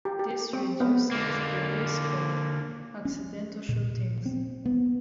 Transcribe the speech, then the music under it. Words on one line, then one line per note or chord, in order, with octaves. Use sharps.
This reduces the risk of accidental shootings.
G4
G4
C4
B3
D3 A#3
C#4
A#2
C4
B3